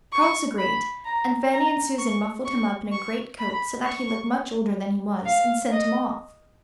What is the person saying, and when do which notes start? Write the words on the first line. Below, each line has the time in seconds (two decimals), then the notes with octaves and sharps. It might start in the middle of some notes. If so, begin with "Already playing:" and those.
Charles agreed, and Fanny and Susan muffled him up in a greatcoat so that he looked much older than he was, and sent him off.
0.13 C#6
0.59 B5
1.05 A#5
1.52 A#5
1.99 C#6
2.46 C#6
2.92 C#6
3.39 B5
3.86 C#6
5.26 F5
5.72 D#5